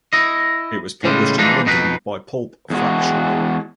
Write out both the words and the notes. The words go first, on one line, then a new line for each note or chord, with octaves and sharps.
It was published in London by Pulp Faction.
E4 D#5
A2 C#3 G3 G#3
E3 F3 G3 G#3 D4 D#4
F2 B2 D#4 F4 B4
E2 G#3 F#4